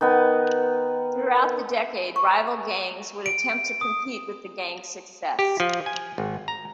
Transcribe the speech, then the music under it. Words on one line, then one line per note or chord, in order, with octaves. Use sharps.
Throughout the decade, rival gangs would attempt to compete with the gang's success.
D#3 B3
C#6
D7
D#6
G4
F3
G#5
G#1
A#5